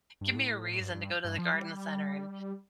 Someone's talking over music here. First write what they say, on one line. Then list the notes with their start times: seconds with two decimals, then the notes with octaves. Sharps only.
give me a reason to go to the garden center and
0.21 G2
0.36 A2
0.80 G2
0.95 G2
1.24 G2
1.39 F3
1.54 G3